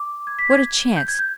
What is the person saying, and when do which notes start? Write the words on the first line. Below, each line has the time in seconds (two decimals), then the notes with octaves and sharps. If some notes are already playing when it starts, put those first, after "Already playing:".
What a chance!
Already playing: D6
0.27 G#6
0.39 B6
0.50 G#6
0.62 G#6
0.96 G6
1.08 G#6
1.19 G6